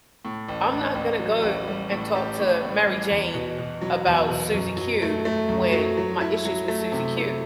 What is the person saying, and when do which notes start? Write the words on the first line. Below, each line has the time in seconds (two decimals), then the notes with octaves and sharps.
I'm not gonna go and talk to Mary Jane about Susie Q, when my issues with Susie Q
0.25 A2
0.48 A1
0.72 A1
0.95 A1
1.19 F#3
1.43 A1
1.67 G3
1.91 A2
2.15 G4
2.39 A2
2.63 A2
2.87 G3
3.10 E2
3.34 B2
3.58 B2
3.82 F#3
4.06 E2
4.30 B2
4.54 F#2
4.77 F#3
5.02 A3
5.25 A3
5.49 F#2
5.73 F#3
5.97 F#3
6.21 E4
6.45 F#3
6.68 A3
6.92 C3
7.16 E4